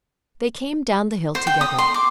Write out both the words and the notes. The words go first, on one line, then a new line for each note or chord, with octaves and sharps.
They came down the hill together.
C5
G5
D#6
C6
D6